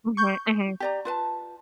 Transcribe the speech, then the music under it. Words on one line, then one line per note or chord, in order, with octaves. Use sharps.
Mhm. Mhm.
C#6 G6
G4 D5 A#5
F4 B4 A5